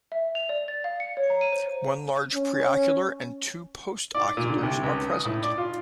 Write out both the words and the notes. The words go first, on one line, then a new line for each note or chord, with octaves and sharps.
One large preocular and two postoculars are present.
E5
F7
D5
A6
F5
C#7
C#5
A#5
D#7
C5
C#4
D5
A#2
D3
C2
C#2
D#6
A2
D5
F4